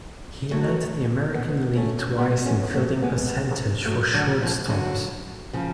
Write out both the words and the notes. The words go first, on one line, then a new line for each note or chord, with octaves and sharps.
He led the American league twice in fielding percentage for shortstops.
F#3 A3
G#3 B3
A3 C#4
G#3 B3
A3 C#4
F#3 A3
G#3 B3
F#3 A3
D3 F#3
F3 G#3
D3 F#3
C#3 F3